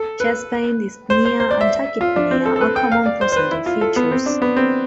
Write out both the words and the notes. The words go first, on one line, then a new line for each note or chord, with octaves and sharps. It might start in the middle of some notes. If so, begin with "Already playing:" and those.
Chest pain, dyspnea, and tachypnea are common presenting features.
Already playing: A4
B4
C5
C5
C5
D5
E5
F4
D4
C4
A4
A4
B4
G5
F5
D5
C5
C5
B4
E4
F4
A4
B3
C4
D4
B3
C4